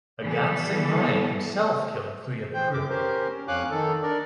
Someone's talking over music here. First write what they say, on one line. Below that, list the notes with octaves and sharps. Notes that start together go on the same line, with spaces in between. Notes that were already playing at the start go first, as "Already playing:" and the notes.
Agansing Rai himself killed three of the crew.
E3 G3 B3 A4
E3 C5 G5 G6
F#2 D6
C#4 G4 A#4 C5
F2 C#5 F5 G#5 D6 F#6
D#3 A4
D4 A#4 D5